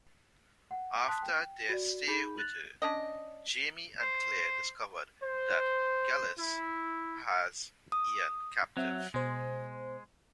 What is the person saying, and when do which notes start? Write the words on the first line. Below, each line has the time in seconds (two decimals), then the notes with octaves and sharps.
After their stay with her, Jamie and Claire discover that Geillis has Ian captive.
0.71 F#5
1.08 A5 C6 D#6 F#6 B6
1.22 G5
1.69 F#4 D5
2.07 D#4 G#4 B5 G6 D#7
2.37 F#6 A6 F7 F#7
2.82 C#4 D4 D#5
4.01 C5
5.22 C5
6.38 E4
7.92 D#6
8.77 F#3 C4 E5
9.14 B2 G#3 C5